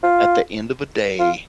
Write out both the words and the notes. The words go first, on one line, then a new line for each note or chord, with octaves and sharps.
at the end of a day
F4
F4